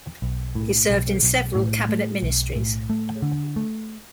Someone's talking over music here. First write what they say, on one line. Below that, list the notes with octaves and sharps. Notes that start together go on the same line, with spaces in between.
He served in several cabinet ministries.
B1
A2
B1
B1
A2
A3
B1
A2
A3
D3
A3